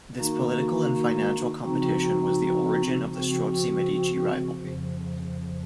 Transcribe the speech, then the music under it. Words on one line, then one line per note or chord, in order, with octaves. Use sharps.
This political and financial competition was the origin of the Strozzi-Medici rivalry.
D#3 A#3 D#4 F#4
C#3 F3 C4 D#4 F#4
C#3 F3 C4 F#4
F2 C#3 F3